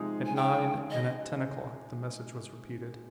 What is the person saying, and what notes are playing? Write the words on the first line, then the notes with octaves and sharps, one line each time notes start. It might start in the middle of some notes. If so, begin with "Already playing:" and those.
At nine and at ten o'clock the message was repeated.
Already playing: C3 F3 G#3 D#4 G#4
G#5
G5
D#5